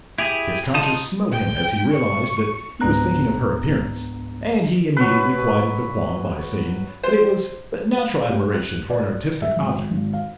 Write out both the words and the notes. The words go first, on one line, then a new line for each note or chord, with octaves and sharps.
His conscience smote him as he realized that he was thinking of her appearance, and he immediately quieted the qualm by saying that it was but natural admiration for an artistic object.
E4 G4 G#4
D#4 F4 A5 D#6
G5
C#6
C#2 G#2 B3 D4 A#5 F#6
F#3 B4
C5
F5
G4
F#6
D5
E5
G#1
G#1
F5